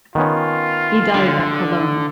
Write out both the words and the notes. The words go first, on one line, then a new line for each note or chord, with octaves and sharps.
He died at Cologne.
D#3 B3 C#4 F4
D3